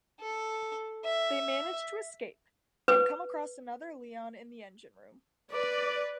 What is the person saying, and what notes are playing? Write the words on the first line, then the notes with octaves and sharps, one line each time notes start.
They manage to escape and come across another Leon in the engine room.
A4
E5
B4
B4 D5